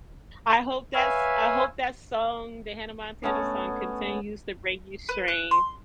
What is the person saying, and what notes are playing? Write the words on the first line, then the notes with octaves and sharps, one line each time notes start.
I hope that s I hope that song, the Hannah Montana song continues to bring you strength.
B4 C#5 E5 F5 G#5
A3 B3 C#4 D#5
B4
F#6
C6